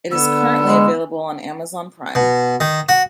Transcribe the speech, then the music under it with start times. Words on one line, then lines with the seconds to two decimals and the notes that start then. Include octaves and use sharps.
It is currently available on Amazon Prime.
0.11 D3 B3 E6
0.63 G#3
2.15 B2
2.60 D#3
2.89 F#4